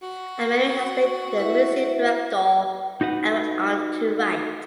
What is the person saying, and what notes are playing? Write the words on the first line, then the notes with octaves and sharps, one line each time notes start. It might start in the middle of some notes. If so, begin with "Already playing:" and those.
Ameri has been the museum director and went on to write.
F#4
E4 B4 E5
D#4 F#4 B4 F#5